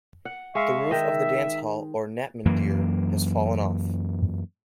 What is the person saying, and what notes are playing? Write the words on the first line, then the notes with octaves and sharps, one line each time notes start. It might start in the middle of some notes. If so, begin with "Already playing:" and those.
The roof of the dance hall or "natmandir" has fallen off.
F#5
G#3 E5 F5 C#6
D#3 D#5 E5
F#2 E3 A#3